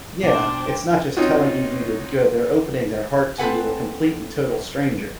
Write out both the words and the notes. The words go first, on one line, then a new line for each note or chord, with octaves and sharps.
Yeah, it's not just telling you you did good, they're opening their heart to you, a complete and total stranger
B2 D4 C5 G5
C4 C#4 D#4 F4 F#4
C4 A4 B4 F#5 G#5